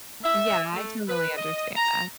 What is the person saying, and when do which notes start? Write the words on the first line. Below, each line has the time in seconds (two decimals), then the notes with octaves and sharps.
Yea Yeah I totally understand that.
0.24 E5
0.73 A3
1.09 B4
1.37 D#5
1.76 A#5